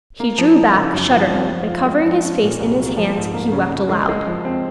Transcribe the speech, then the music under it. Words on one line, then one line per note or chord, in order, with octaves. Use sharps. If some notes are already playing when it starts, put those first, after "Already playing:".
He drew back shuddering, and covering his face in his hands he wept aloud.
A#3
F3
D#4
C#3
F#2
F3
C4
F3
F4
G#3
F3
C#4
A#2
C2
F#3
F3
G#2
A#3
C#3
F2
G#3
G#3
F3
C4